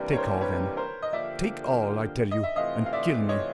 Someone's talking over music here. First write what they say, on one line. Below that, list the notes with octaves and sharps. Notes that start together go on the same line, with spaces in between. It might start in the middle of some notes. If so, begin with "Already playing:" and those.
"Take all, then--take all, I tell you, and kill me!"
Already playing: C3 E3 G3 A#3 D4 A#4 B4
C#5
A#4 C5
B4 C#5
A#4 C5
D#5
D3 F3 A#3 D4 G4 D5 E5
D#5
E5
C3 E3 A3 C4 F4 D#5 F5
F5
D5 E5
C#5 D#5